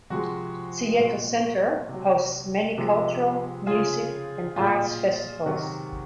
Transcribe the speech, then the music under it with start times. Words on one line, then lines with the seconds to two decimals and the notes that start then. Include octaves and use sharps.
Seattle Center hosts many cultural, music and arts festivals.
0.10 C3 F3 G#3 F#4
0.99 A#2 F#3
1.88 C3 F#3
2.78 C3 F3 G#3
3.67 C#3 G#3 F4 G#4
4.56 A#2 F#3 F4 G#4
5.46 C3 D#3 F#3 F#4